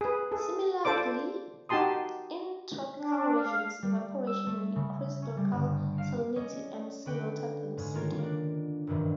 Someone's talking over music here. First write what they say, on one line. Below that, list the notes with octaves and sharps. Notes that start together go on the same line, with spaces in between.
Similarly, in tropical regions, evaporation may increase local salinity and seawater density.
G#4 B4
G#4 A4
F4 A4 C5 D5 D6
D#4 F#4 G4 A5 C6 D#6
D4
F5
G3
E6
A3
C#3
C#4
G3
G1
F5
G3 C#4 C#5 D#5 D#6
D3 F#4 B4 G5
G#2 C#3 G#3
D#3 A#3 F4 A#4 C#5
A#3 D4
F#1 G2 A#2 D#3 E3